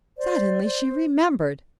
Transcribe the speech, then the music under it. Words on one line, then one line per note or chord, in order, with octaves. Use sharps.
Suddenly she remembered.
C5 D5
C5